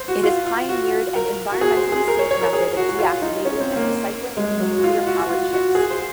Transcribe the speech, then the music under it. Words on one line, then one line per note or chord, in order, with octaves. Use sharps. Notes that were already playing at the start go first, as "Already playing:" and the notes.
It has pioneered an environmentally safe method of deactivating and recycling nuclear-powered ships.
Already playing: C5
F#4
F4
F4
F#4
A#4
F#4
G#4
C5
G#4
A#4
C#5
C#5
A#4
G#4
F#4
F#4
F4
D#4
C#4
C4
A#3
G#3
F#3
F#4
F4
F#4
F#4
F4
F#4
G#4
C5